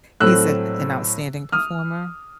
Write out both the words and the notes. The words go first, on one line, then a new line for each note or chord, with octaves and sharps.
He's an an outstanding performer.
A2 F#3 A3 C4 E6 F#6
D#6 F6